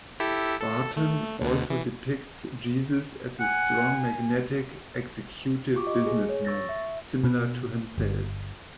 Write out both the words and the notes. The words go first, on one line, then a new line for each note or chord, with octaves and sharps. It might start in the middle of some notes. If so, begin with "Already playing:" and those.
Barton also depicts Jesus as a "strong magnetic" executive businessman, similar to himself.
E4 G4 A4
A4
A3
D2 B2
E3
F#5 G#5
F4 G4 C#6 D6
D#5
G#4
C#5
C#6 E6 A6 A#6
E5
B2
G1